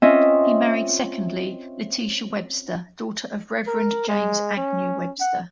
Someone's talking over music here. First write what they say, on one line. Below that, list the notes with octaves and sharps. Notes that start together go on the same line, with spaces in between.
He married secondly Letitia Webster, daughter of Reverend James Agnew Webster.
C4 C#4 F4 D#5 E5
A#4
G#3
C#4
F#5